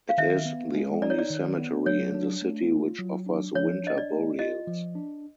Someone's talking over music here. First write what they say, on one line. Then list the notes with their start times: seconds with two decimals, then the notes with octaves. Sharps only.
It is the only cemetery in the city which offers winter burials.
0.09 F5
0.18 D#3 E5
0.45 B3
0.75 G#3
1.02 D#4 D5
1.10 C#5
1.19 D5
1.30 D#3
1.58 B3
1.86 F#3 C#5
2.14 D4
2.42 A3
2.71 F4
2.99 F#3
3.26 D4
3.55 F3 C#5
3.84 D4 D#5
3.98 D5
4.10 A3
4.39 F4 D#5
4.68 F3
4.95 D4